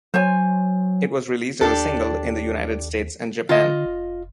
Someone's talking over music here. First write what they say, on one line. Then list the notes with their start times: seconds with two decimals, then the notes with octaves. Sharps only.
It was released as a single in the United States and Japan.
0.14 F#3 C5 C#5 G#5
1.61 D#2 D4 G4 A4
3.49 D3 F4 D#5
3.85 F1